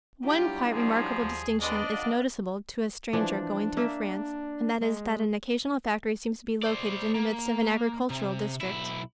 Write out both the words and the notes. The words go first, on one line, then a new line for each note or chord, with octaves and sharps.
One quite remarkable distinction is noticeable to a stranger going through France and that is that an occasional factory seems to be located in the midst of an agricultural district.
F#3 G3 D4 E4 F4 G4
F3 G#4
D#2
G3 G#3 B3 D4 D5 D#5
F2 F5 F#5
E3 F3 D4 D5
A#3 E5
G#3
C5 D5
A#3
C3
B1 E4